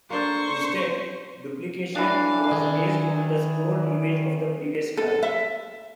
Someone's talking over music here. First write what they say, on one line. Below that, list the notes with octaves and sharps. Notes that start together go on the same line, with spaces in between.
Instead, duplication was based on the stored image of the previous card.
A#3 D4 A4 C5 C#6
E3 D4 F5
D#3 G#4
A4
E5